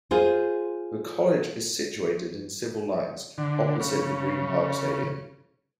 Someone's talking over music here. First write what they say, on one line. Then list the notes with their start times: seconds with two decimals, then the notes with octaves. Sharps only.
The college is situated in Civil Lines, opposite the Green Park Stadium.
0.11 F4 G#4 C5
3.38 D3
3.80 C#3